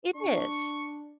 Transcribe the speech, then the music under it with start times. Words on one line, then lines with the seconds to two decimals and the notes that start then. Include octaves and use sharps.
It is.
0.16 D4 C#6